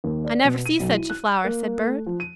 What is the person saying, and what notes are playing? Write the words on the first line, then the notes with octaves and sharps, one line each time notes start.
"I never see such a flower," said Bert.
D#2
D5
B2
D#7
B1
E4
F#6
A#3
A3
F3
D#7